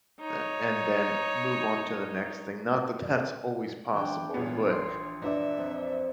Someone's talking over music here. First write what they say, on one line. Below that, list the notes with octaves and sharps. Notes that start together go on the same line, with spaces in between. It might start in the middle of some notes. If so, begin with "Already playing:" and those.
a and then move on to the next thing, not that that's always possible, but
D#4 C#5
E3 D4 G5
A#2 G3 B3 C#5
A#1 C6
D4 B4 D5 E5 A#5
F2